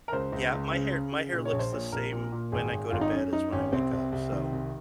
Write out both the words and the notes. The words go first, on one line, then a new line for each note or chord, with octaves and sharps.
Yeah, my hair my hair looks the same when I go to bed as when I wake up, so,
A#4
C#2 C5
C#2
C#2
C#3
C#3
C#3
A#2
C#5
A#1
C5
A#2 C#5
A#1 A#4
A#2
A#2
G#1 G#4
G#1
G#1 F4
D#4
F#2 C#4
F#2 D#4
G#1 C#4
C2 C4
C2
C2
D#3
C2